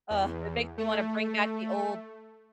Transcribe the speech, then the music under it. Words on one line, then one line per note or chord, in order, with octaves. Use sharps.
Uh, it makes me wanna bring back the old
E2
A3